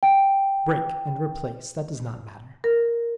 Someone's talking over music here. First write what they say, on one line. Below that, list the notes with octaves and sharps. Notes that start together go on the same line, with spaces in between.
Break and replace; that does not matter.
G5
A#4